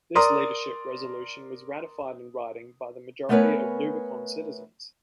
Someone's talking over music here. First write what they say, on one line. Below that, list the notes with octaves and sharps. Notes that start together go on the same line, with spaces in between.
This leadership resolution was ratified in writing by the majority of Lubicon citizens.
A#4 D5 A#5 C6 D#6
A3 B3 A#4 B4 C#5 G#5